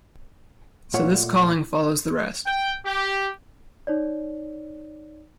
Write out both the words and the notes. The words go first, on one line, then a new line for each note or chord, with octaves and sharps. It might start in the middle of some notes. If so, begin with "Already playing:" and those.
So this calling follows the rest.
A#2 A3 F4 C#5 F#5
G5
G4
D#4 C#5 D5